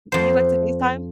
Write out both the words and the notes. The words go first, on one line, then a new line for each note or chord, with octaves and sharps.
Do you like to FaceTime?
F2 C5